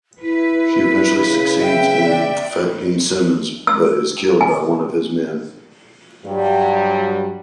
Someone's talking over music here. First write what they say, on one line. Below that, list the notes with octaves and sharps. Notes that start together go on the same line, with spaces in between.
She eventually succeeds in infecting Simmons, but is killed by one of his men.
E4 B4
C#3
E5 G5
D5
E6
G#5
G2 F#3 G3